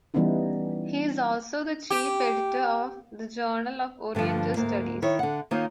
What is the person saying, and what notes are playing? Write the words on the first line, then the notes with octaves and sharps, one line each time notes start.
He is also the Chief Editor of the "Journal of Oriental Studies".
E3 G3 B3 C#4 D#4 E4
G4
G2 D3 E3 F3
D2 G#2 A#3
D#3 E4 C#5
D3 F#5
D#3 A#3 D#4 F4 C#5